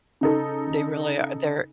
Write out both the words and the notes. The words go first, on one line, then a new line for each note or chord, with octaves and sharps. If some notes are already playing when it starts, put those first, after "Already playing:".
They really a they're
C#3 D#4 A4